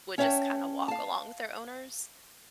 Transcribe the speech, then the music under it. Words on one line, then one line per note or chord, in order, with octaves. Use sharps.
would just kind of walk along with their owners.
C#4 C#5 E5 F#5 G5 A5
F5 A5